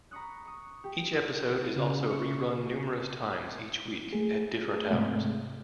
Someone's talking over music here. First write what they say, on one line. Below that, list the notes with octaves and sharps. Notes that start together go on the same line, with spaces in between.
Each episode is also re-run numerous times each week at different hours.
A#5 B5 C#6 D#6 F#6
C#6 D#6
G4
E4 D#6
C#3
E5 C#6
A3 G#4
G#2 C3 G#3 A3